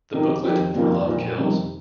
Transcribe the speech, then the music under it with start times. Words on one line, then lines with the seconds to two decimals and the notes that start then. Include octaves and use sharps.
The booklet for Love Kills!
0.12 F2 C3 D#3
0.43 F2 D#3 C4 G4
0.74 F2 C3 D#3 A#3 F4
1.06 A#1 A#2 F3
1.38 F2 C3 D#3 G3